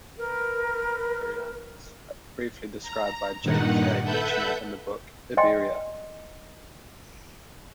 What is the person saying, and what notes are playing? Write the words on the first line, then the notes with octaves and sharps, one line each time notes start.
In literature, Burriana is briefly described by James A. Michener in the book, "Iberia".
A#4 B4
A#5
G2 A#2 D#3 D#4 F#5
A4 B4 E5 F#5 G6
D5 D#5 G5 G#5 C6